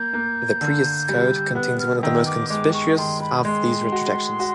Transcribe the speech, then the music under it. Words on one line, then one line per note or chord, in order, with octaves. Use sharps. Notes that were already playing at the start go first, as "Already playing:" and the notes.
The Priests' Code contains one of the most conspicuous of these retrojections.
Already playing: A#3 G6
A#3
D3
G3
B3 F#6
F6
D#6
D#3 E6
D6
G#3 D6
C#6
D#3 C6
B5
G#3 C6
F#4
F#4